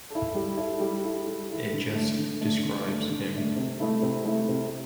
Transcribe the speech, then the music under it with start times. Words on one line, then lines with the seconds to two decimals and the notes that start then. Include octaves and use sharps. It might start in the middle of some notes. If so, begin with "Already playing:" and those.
It just describes him.
0.10 E4 A4
0.34 G3
0.57 E4 A4
0.79 G3
1.04 E4 A4
1.27 G3
1.49 E4 A4
1.73 D3
1.95 A3 D4
2.18 D3
2.41 A3 D4
2.64 D3
2.87 A3 D4
3.10 D3
3.34 A3 D4
3.56 C3
3.79 A3 E4 A4
4.02 C3
4.25 A3 E4 A4
4.48 C3